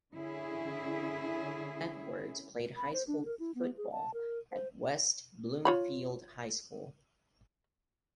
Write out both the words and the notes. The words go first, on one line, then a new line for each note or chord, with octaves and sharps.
Edwards played high school football at West Bloomfield High School.
D3 C#4 E4 G#4
B5
C5
D4
A#4
E4
B3
G#4
A5
A#4
C5
F4 C#5 B5